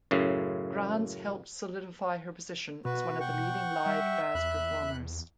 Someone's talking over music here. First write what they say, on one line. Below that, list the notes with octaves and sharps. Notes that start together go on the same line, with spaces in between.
Granz helped solidify her position as one of the leading live jazz performers.
F#2 A2 C#3
B2 F#4 B4
F#5 G5 C#6
G3 E5
E2 B5 F#6